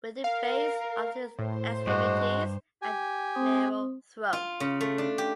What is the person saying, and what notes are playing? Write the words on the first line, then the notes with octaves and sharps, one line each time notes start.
With the base of the extremities and narrow throat.
A#4 F5
A2 C5
G2 G#3 F#4
G4 G#5
C4 C5 D#6
F4
C#3
A3
D4
G4